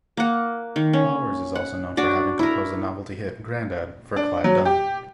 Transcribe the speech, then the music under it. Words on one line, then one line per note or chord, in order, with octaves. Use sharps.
Flowers is also known for having composed the novelty hit "Grandad" for Clive Dunn.
A#3 F#5
D#3
C#4
F#5
D4 F#4 D5
E4 A#4
D4
F#3
G4